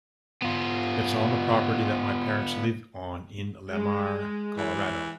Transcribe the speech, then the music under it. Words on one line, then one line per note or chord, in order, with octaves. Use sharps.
Its on the property that my parents live on in Lamar, Colorado.
B3 F4
G#3
E3